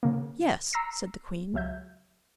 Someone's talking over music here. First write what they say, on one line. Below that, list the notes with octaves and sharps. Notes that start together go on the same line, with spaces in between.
"Yes," said the queen.
C#3 A#3
A#5 E6 A#6 C7
C#2 F#3 E5 G6